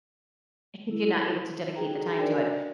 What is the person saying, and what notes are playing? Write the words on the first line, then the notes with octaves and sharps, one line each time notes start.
if if you're not able to dedicate the time to it?
E4
D#4 F#4 G#4 G5 A#5
D4 F#4 A#4 C5 D5 G#5